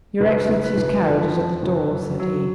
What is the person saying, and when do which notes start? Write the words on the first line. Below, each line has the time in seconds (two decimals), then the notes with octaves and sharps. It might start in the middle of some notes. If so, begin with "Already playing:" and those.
"Your excellency's carriage is at the door," said he.
0.20 F#1 B4
0.49 F#1
0.63 B4
0.78 F#1
1.05 F3
1.34 F2
1.63 F#1
1.91 F#3
2.20 F#3